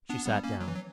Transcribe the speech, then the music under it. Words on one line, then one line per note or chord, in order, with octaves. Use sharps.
She sat down.
B3 D4
G3 B3
A#3 C#4
F#3
E3
F#3